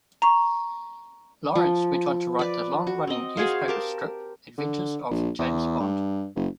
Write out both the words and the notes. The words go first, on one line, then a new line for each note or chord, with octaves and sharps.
Lawrence went on to write the long running newspaper strip adventures of James Bond.
A#5 C#6
F3
B4 D5
F#4
C4 D#5
F#4 G#4 C5 F5
G4 A#4 A5
D3
A#1
E2
G2
F#1